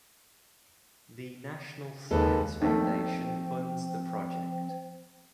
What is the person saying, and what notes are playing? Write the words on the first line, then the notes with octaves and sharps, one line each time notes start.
The National Science Foundation funds the project.
D#2 G#3 A4 B4
D#2 F3 A3 C4